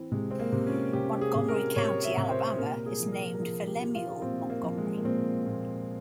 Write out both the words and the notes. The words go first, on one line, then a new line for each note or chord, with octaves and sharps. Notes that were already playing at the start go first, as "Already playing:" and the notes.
Montgomery County, Alabama, is named for Lemuel Montgomery.
Already playing: E3 C4
C3 G#3
C4
A#3
C3
C#4
C3 G4
G#4
C3
A#4
C3 C#5
E5
C3
C5
A#2 A#4
G#4
F3
A#4
A#4
F3 G#4
G4
F3
F4
A#2 C4
A#3
F3
G#3
A#3
A#2 C4
A#2